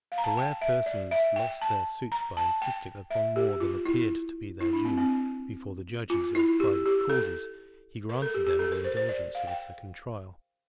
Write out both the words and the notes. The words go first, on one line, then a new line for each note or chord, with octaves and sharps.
For where persons lost their suits by insisting upon more than appeared to be their due, before the judges of private causes, he granted them the indulgence of a second trial.
F5
A#5
A5
G5
E5
D5
E5
G5
A5
A#5
A5
G5
E5
G4
F4
E4
E4
D4
C4
C4
F4
E4
G4
G4
A4
A#4
A4
G4
G4
A4
A#4
C5
C5
D5
F5
G5